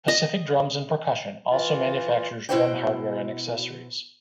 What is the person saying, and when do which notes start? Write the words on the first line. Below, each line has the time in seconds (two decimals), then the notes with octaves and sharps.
Pacific Drums and Percussion also manufactures drum hardware and accessories.
0.08 D#5
1.51 E3 F4
2.49 B2 E4 F#4 C5 F#5 G5